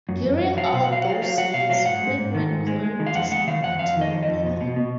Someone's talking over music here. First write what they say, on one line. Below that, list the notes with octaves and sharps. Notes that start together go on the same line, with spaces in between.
During all those years, Whitman couldn't decide what to reply.
F#2
F#2
F#2
F#3 F5
F#5
B2 F5
F#5
F#3 F5
F#5
F#3 F5
F#3 F5
F#3 F#5
B2 F5
F#3 F5
G#2 F#5
G#2
G#2
D#3
G#2
G#3
G#3
D#3
F5
F2 F#5
G#3 F#5
D#3 F5
F2 F#5
F2 F5
D#3
D#5
F2
D#5
F2
B2
B2
B2